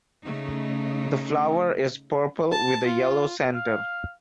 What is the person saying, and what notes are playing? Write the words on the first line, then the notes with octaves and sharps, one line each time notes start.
The flower is purple with a yellow center.
C#3 A3 D#4
A5
F4
F5